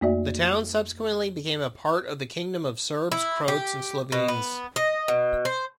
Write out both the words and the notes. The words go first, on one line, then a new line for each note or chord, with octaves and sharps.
The town subsequently became a part of the Kingdom of Serbs, Croats and Slovenes.
F2 A3 A#3 F#4 D5 E5
E4
G4
B2
B3
D#5
B2
C5